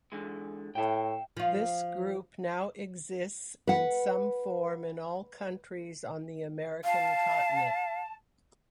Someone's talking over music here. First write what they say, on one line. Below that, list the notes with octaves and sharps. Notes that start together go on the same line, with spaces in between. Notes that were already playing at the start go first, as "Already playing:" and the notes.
This group now exists in some form in all countries on the American continent.
D3 E3 G#3
A2 E5 G5
F3 F4
B4 F#5
F5 A5